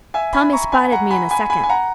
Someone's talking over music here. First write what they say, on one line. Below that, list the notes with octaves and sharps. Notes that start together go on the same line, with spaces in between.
'Tommy spotted me in a second.
E5 G#5
G#5 B5
A#5 C#6
G#5 B5
F#5 A#5
G#5 B5
G#5 B5
G#5 B5
G#5
F#5 A#5